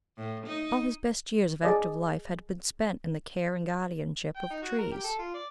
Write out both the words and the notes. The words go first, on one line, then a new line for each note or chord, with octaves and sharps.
All his best years of active life had been spent in the care and guardianship of trees.
A2
D#4
G#4 D5 D#5
G5
D#4
F#4
A#4
G4
A4
F4
D5